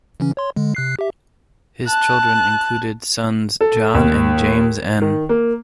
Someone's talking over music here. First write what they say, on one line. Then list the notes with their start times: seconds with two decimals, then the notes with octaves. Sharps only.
His children included sons John and James N.
0.20 C#3 E3 C#4
0.37 C#5 C6
0.56 D3 G#3
0.75 C3 F#6 C7
0.99 G4 E5
1.85 A5 F#6
3.61 A4
3.94 D#2
5.02 D#3
5.29 A#3